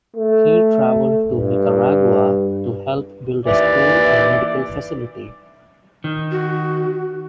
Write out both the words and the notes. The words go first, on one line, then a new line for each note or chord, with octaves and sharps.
He travelled to Nicaragua to help build a school and medical facility.
A3
G2
D#2 E3 D5
D#3
F#4